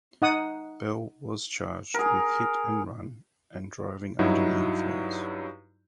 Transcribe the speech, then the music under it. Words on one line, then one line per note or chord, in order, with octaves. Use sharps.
Bell was charged with hit and run and driving under the influence.
D#4 F#5 D#6
G#4 A#4
G2 F#3 D#4 E4 F#4